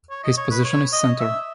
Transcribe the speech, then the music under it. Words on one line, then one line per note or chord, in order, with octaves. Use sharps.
His position is centre.
C#5
D#5
C#5
B4
C#5
D#5
E5